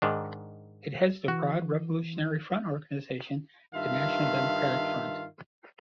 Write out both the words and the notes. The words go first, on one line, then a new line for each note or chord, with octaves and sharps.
It heads the broad revolutionary front organization, the National Democratic Front.
G#2 D#3 D4
E3 F#4
G2 D#3 F4 E5 F5